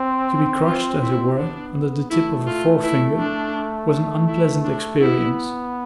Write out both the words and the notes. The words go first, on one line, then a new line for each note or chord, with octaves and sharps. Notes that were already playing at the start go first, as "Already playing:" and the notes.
To be crushed, as it were, under the tip of a forefinger was an unpleasant experience.
Already playing: C4
F4
E4
B3 D4
A3 E4
F4
E4
D4
E4
D4
B3 E4